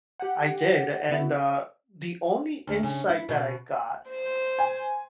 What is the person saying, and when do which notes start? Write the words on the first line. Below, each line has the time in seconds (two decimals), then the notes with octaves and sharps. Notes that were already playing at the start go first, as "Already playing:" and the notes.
I did and, uh, the only insight that I got
0.20 G4 F#5
1.10 D3 B3 E4 F#4
2.67 D2
2.83 C#3
3.09 E4
3.29 B2
4.09 C5
4.59 G#5